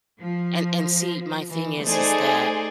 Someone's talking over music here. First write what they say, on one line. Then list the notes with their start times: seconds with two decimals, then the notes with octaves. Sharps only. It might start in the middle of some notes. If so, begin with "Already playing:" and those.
and and see my thing is is that
0.21 F3
1.51 E3
1.84 A3 D#4 G#4 C5 D5